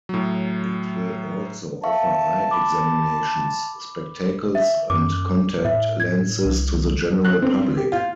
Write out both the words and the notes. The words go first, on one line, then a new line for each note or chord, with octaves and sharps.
It will also offer eye examinations, spectacles and contact lenses to the general public.
A2 F#3
E5 F5 A5 C#6
B5 D6
E5
F#2 D6
A2 E5
G#6
C2
F#6
C4
G4
F4